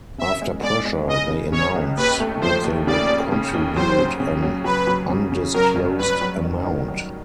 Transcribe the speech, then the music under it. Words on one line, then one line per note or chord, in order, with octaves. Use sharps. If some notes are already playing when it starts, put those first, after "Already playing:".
After pressure, they announced that they would contribute an undisclosed amount.
C#3 E5
G#3
G#3 D5
G#3
C#3 D#5
C#3
C#3 C#5
C#2
D#2 B4
A3
F3 C5
D#2
C#3 D5
D#2
C#3
D#2
F#3 C5
C#3
C#3
F#3
F#3 B4
F#3
C#3
C#3
F#3 A#4
G2
G2 B4
F#3
D#3
D#3
F#3